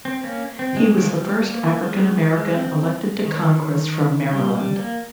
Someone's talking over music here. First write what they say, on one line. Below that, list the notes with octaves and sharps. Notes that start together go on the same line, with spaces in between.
He was the first African American elected to Congress from Maryland.
C4
A#3 C#4
C4
G#3
D#3
F3
G3
A#3
G#3
F3
G#3
C4
C4
D#3
G3
G3
A#3